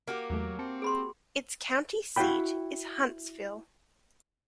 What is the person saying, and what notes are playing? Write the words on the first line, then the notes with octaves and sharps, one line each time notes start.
Its county seat is Huntsville.
A#3 F#4 G4
E2 F#3 A3
C4 A5 C#7
G#4 B5 C6
E4 F#4 E5 F5 G5 B5